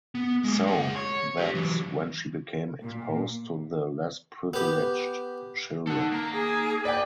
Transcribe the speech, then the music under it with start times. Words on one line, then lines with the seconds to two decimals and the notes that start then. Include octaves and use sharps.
So that’s when she became exposed to the less privileged children.
0.15 B3
0.44 G#3 A#3
0.67 G#4 F#5
0.96 C#5
1.37 G4 B4
1.55 E3 F#3
2.83 A#2
4.54 B3 G4
5.87 D#3 A4 F#5
6.12 A#3 A#5
6.33 G#4
6.85 B4 D5 G5